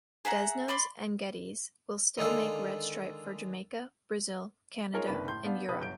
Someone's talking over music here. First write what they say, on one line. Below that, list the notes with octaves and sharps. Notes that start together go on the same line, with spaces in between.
Desnoes and Geddes will still make Red Stripe for Jamaica, Brazil, Canada and Europe.
G#4 E5 F#5 A#5
D5 B5 C6 D6
D3 D#3 G#3 F4 A4
D#4 F4 G#4 A#4 C#5
F#1 C3 D#3 D4 B4
A2 C6 G6
B3 D4 F5
B1 G4 B4 D#6
G1 F#3 G6 D7